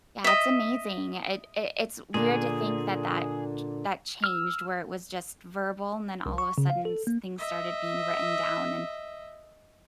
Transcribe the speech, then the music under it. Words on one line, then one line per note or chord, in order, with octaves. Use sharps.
Yeah, it's amazing, it it it's weird to think that that ch that changed where it was just verbal and then all of a sudden s things started being written down and
D#5 E5
A#2 D3 G#4
E6 F6
C2
C#6
C#3
F5
A4
A#3
D#5 E5